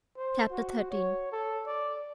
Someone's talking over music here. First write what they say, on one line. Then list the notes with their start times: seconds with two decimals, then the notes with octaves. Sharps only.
Chapter XIII.
0.17 C5
0.51 F#4
0.91 C#5
1.32 A4
1.66 D5